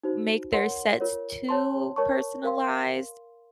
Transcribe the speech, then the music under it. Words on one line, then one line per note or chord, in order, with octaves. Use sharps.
make their sets too personalized,
D#4 F#4 C5
A#4 C#5 F#5 C6
F4 A#4 C#5
C#5 A5 C6
A#4 C#5 A5 C#6
A#4 F5 C6